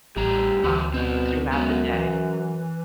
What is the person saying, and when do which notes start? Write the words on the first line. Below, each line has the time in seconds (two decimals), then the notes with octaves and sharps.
um, throughout the day.
0.17 A1 A2 G3 G4 A#5
0.64 D2 E3 A3 F#4
0.94 B2 C4 E4
1.52 F#2 G#3 B3
1.93 E3